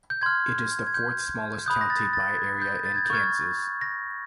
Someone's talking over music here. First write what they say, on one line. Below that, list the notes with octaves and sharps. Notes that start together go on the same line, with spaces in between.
It is the fourth-smallest county by area in Kansas.
G6
C6 F6 G#6
G#6
G6
B5 D#6 F#6 G6
A#6
A6
A6
G#6
G6
A6
G#6
G6
C#6 F6 G#6
A#6